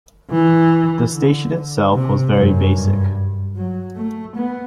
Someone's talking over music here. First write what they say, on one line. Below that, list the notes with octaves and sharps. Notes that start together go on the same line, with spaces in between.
The station itself was very basic.
E3
D3
C3
F#2
G2
F#3
A3
B3